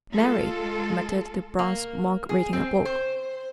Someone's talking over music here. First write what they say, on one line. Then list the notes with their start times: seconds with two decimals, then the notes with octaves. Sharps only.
"Marry!" muttered the bronze Monk-reading-a-book.
0.15 G#3 F4 A4
1.59 A#3
2.29 G#4
2.53 C4
2.85 C5